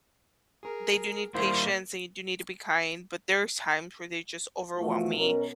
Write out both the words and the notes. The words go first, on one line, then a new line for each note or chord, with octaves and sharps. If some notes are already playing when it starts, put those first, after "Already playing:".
they do need patience, and you do need to be kind, but there's times where they just overwhelm me,
G#4 A#4
G3 A#3 E4 C5
B2 E3 F3 A3 F4 F#4
B2 F#3 C#4 A#4